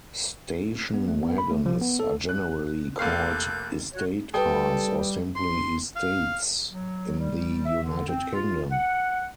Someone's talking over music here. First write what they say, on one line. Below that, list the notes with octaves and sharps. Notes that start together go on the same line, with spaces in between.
Station wagons are generally called "estate cars" or simply "estates" in the United Kingdom.
B3
A3
B3
B5
A3
F3
B3
A4
F#6
F1 A#3 A4 F5 F#6 G6
F#4 C#5
G3 A4 B4 G5 D#6
C6
F5
F#3
G3
E5
D3
C4
F4
F#5